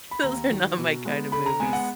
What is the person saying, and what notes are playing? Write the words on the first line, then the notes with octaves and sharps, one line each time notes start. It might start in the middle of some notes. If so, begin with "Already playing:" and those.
Those are not my kind of movies.
B5
D#2 A#5
D#3 F#3
B2
G#3 B3
D3 B5
A#5
G#3 B3 G#5
F#5